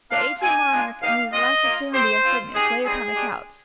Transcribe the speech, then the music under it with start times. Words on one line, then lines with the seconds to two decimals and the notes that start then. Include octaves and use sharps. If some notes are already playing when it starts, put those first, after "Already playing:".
The aged monarch, in the last extremity of sickness, lay upon a couch.
0.11 A#3 D4 F4 F5
0.41 C4 D#4 G4 G#5
0.72 G#3 D4 F4
1.02 A#3 D#4 G4 F5
1.32 G#3 C4 F4 D#5
1.63 A#3 F4
1.93 C4 G4 C5
2.24 C4 F4
2.54 G#3 D#4 G4 G#4
2.84 G3 C4 D#4 G#4
3.14 G#3 D4 G4